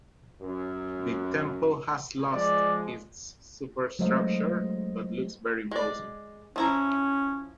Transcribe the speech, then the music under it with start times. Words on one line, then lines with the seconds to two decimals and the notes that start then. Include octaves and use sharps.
The temple has lost its superstructure but looks very imposing.
0.42 F#2
2.33 F3 G#3 D5
3.99 F#3 G#3 A3 C5 D#5 F5
5.71 G#3 D5
6.56 F3 C#4 E4 A#5